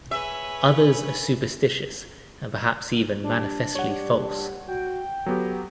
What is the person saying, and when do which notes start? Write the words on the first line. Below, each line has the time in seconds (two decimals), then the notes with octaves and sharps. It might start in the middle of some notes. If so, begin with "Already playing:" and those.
Others are superstitious and perhaps even manifestly false.
0.11 G#4 B4 C#5 E5
3.24 G3 D4
3.75 G3 C#5 F#5
4.68 F#4 G5
5.26 F#3 B3 G4 A4